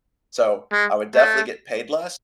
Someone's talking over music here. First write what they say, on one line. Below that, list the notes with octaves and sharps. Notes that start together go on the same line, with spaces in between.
so I would definitely get paid less,
G#3
A3